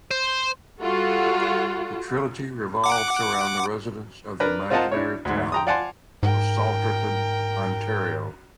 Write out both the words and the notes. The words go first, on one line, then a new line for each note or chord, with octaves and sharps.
The trilogy revolves around the residents of the imaginary town of Salterton, Ontario.
C5
G3 F4 F#4 A4
F#5 D6
D4 A#4 B4 A#5
C4 F4 A#4 D#5 F#5 A5
D4 E4 C#5
D2 G#2
G5 A#5 D#6
D5 F5 F#5 G#5 A5 C6
G#2 A#4 G5